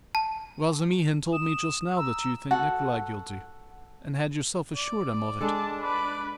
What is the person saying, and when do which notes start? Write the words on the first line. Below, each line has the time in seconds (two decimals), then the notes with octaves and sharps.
"Razumihin told me just now that you think Nikolay guilty and had yourself assured him of it...."
0.15 A5
1.33 D#6 E7
1.96 A#5 E6
2.51 F#4 A4 F#5
4.75 D5
5.41 G#3 D4 A4 A5
5.82 B4 D5 B5